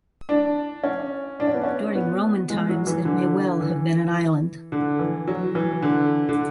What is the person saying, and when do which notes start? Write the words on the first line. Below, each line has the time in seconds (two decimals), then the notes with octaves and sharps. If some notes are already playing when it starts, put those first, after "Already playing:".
During Roman times it may well have been an island.
0.29 D4
0.84 C#4
1.40 D4
1.47 C#4
1.54 B3
1.63 C#4
1.95 B3
2.50 G#3
2.69 F#3
2.87 E3
3.05 D3
3.61 E3
4.72 D3
4.99 E3
5.27 F#3
5.55 E3
5.82 D3
6.29 D3